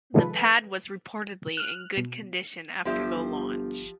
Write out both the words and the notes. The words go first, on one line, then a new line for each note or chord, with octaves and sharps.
The pad was reportedly in good condition after the launch.
C3 D#3 F3 G#3 A4 B4
F6 F#6
B2
G1 F3 G4 E5